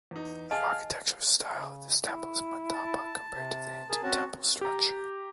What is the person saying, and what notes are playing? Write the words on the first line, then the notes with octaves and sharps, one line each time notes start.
The Architecture style of this temple is Mandapa compared to the Hindu temple structure.
E2 D#4
G#4 D#5 F5 A5
C#3
E4
A5
C3
G#4 A#4 A5
C4 C#4 F#4 A5
G4 A#5